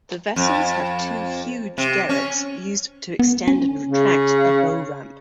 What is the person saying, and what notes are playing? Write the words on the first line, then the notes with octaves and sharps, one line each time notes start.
The vessels have two huge derricks used to extend and retract a bow ramp.
F2
C3
C#4
B3
C#4
C#3